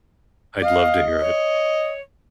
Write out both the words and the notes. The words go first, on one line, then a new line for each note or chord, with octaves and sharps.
I'd love to hear it.
D#5 F5
C#5